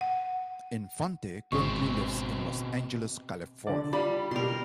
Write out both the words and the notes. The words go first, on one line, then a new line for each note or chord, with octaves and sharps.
Infante currently lives in Los Angeles, California.
F#5
G#1 B2 C4 C#6
D3 D5
G3 F4 D5 B5
B2 G4 A#4 C6